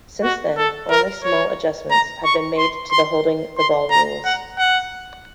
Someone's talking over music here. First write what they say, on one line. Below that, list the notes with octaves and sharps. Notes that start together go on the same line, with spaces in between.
Since then, only small adjustments have been made to the holding the ball rules.
F#4
A4
A#4
C#5
A#5
C#6
C6
C6
C6
A#5
F#5
F#5